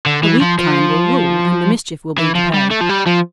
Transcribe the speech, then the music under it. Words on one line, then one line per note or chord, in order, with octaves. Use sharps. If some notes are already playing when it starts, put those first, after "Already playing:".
The weak kind will rule, and the mischief will be to pay.
D3
E3
F3
F3
E3
F3
G3
A3
F3
G3
F3